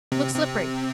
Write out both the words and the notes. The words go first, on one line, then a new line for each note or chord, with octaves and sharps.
Look slippery.
C3 C4
C3 C4